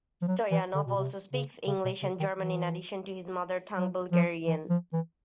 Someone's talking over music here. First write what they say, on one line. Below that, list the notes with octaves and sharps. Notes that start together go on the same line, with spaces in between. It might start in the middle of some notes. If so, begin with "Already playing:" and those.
Stoyanov also speaks English and German in addition to his mother tongue Bulgarian.
F3
F#3
E3
D3
B2
C3
C#3
C#3
B2
C#3
D#3
E3
F#3
F3
E3
F3
E3